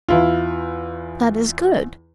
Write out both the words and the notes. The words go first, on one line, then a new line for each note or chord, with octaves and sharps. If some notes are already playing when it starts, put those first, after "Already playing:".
"That is good."
E2 E4 F4